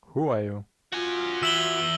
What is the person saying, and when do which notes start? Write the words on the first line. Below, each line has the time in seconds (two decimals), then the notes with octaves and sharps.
Who are you?
0.92 F4 F#4 G#5
1.43 E2 E5 E6 F#7 G7